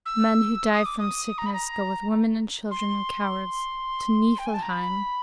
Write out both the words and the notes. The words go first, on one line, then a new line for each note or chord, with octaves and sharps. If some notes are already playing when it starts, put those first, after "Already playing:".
Men who die from sickness go with women and children and cowards to Niflheim.
E6
D#6
D6
D#6
A#5
B5
A#5
C6
G5
G#5
A5
A#5
B5